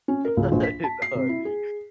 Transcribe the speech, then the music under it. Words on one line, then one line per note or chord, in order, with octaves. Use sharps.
Right on, dude.
C#4
A#4
C#2
A#1
B6
A5
C7
C3
E4
G#4